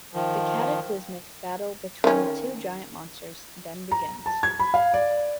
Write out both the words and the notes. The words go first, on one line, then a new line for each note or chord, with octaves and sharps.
The cataclysmic battle between the two giant monsters then begins.
D#3 F3
D#3 C#4
A#5
A5
G#6
B5
F5
D5